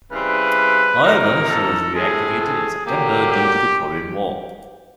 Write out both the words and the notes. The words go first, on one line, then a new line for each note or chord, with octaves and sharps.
However, she was reactivated in September due to the Korean War.
C#3 E3 G3 C4 B4
C3 F3 A#3 D#4 A#4
A4
C3 E3 A3 G#4
G#4
F2 D3 F#3 A#3 G4
G4